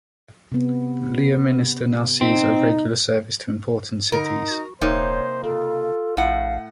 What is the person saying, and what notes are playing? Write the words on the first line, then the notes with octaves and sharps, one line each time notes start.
Leominster now sees a regular service to important cities.
C3 B3
C4 D#4
D3 D#4 A#4
F#4
D#1 C3 A#3 D#4 C5 C#5
C#3 F4 A4
A#1 A2 F5 F#5